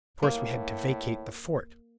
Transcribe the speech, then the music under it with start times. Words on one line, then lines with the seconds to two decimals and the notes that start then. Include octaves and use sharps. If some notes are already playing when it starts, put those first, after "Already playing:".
Of course we had to vacate the fort.
0.23 A2 A#3